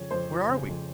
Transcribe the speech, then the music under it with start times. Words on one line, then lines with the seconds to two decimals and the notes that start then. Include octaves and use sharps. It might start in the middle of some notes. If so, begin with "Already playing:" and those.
"Where are we?"
Already playing: F2 C#3 C#5
0.11 F2 C5
0.30 F3
0.49 C#3
0.68 F2